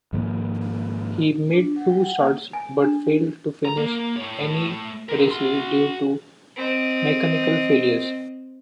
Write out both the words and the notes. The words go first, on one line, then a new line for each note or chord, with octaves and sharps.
He made two starts but failed to finish any races due to mechanical failures.
G#2 D#3 F3 A#3
D4
F#5
G5
F#5
A#3
G#5
D4
A#5
A#3
A3 C#5
D3 A#4
F#4 C6
C4 D#5